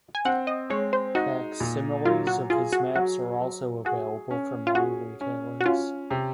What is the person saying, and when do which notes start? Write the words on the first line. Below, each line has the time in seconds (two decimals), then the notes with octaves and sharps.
Facsimiles of his maps are also available from many retailers.
0.15 G#5
0.25 C4 F#5
0.47 D#5
0.70 G#3 C#5
0.93 C5
1.15 D#4 F#4
1.60 A#2
2.05 F#3 F4
2.27 F#4
2.50 F4 G#4
2.73 F#4
2.95 F#3 F#4
3.40 F#3
3.85 F#4 G#4
4.31 C#4
4.67 F4
4.75 F#4 G#4
5.21 C#4
5.61 F#4
5.66 C#4 F4
6.11 C3